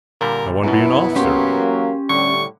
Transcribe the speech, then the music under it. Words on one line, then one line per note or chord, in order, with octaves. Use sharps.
I want to be an officer.
A#2 D3 G3 A#4
F#2 B2 B3 E4
E3 F#3 A#3 C#4 G4 C6
A2 D3 G3 C#6